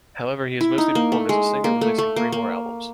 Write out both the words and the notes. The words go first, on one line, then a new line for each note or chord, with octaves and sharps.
However, he has mostly performed as a singer, releasing three more albums.
E4
D#4
A#3
A3
G#3
A#3
A3
A3
A#3
A#3